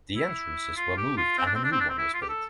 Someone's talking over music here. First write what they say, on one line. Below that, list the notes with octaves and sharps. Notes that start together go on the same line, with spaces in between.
The entrances were moved and a new one was built.
E4
F4
G4
F4
C4
D4
C4
D4
C4
D4
C4
E4
F4
G4
A4